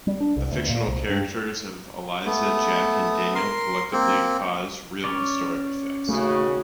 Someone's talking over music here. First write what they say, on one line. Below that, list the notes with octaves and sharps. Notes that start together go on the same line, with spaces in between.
The fictional characters of Eliza, Jack and Daniel collectively cause real historic effects.
G3
D4
C2
D2
A#2
C2
G2
A3 B3
A#4 C6
A#3 C4
C#4 C#5 D5
A1 D#2 C#3 A3 F#4